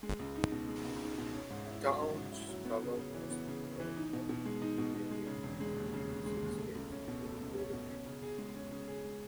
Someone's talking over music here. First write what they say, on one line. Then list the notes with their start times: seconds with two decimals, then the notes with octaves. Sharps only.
Towns cover most or all land area in all six states, including rural areas.
0.03 G#3
0.19 C#2
0.36 D#4
0.52 B2
0.69 G#3
0.85 C#2
1.01 D#4
1.18 B2
1.34 C#4
1.50 G#2
1.67 E4
1.83 F#3
2.00 C#4
2.16 G#2
2.33 E4
2.49 F#3
2.65 B3
2.82 C#3
2.98 C#3
3.14 E3
3.30 B3
3.48 C#3
3.64 C#3
3.80 E3
3.97 D#4
4.13 B2
4.29 B2
4.45 G#3
4.62 D#4
4.78 B2
4.94 B2
5.11 G#3
5.27 C#3
5.43 E1
5.60 G#3
5.76 D#2
5.94 C#3
6.09 E1
6.26 G#3
6.42 D#2
6.58 A3
6.75 C#2
6.92 C#4
7.08 B2
7.24 A3
7.41 C#2
7.57 C#4
7.73 B2
7.90 C#4
8.06 C#3
8.22 G#4
8.38 G#3
8.56 C#4
8.71 C#3
8.88 G#4
9.04 G#3